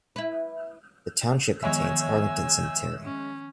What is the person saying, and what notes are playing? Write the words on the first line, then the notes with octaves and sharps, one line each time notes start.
The township contains Arlington Cemetery.
E4 B4
D#3 F3 G#3 B3 C#5 E5 G#5 E6
C#4